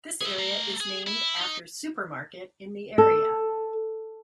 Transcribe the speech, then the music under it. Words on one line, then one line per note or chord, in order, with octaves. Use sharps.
This area is named after Supermarket in the area.
G#4 E5
A3 A#5
G#4
E4
D#4
A4